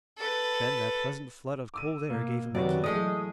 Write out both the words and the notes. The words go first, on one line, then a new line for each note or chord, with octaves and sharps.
Then that pleasant flood of cold air gave him the key.
A4 B4
D6 E6 D#7
B2 A#3
F#2 C3 D#3 F#3 B3 F#4 D5
A2 E3 F#3 G#3 A3 G#4 D#6